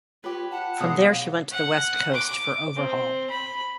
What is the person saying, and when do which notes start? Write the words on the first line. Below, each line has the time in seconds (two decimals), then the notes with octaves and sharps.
From there, she went to the West Coast for overhaul.
0.24 F4 G4 B4 C#5
0.51 F#5 A5
0.81 B2 F#3 G#3 D5 F5 D#6
1.52 F#5
2.14 D6
2.76 C4
3.30 B5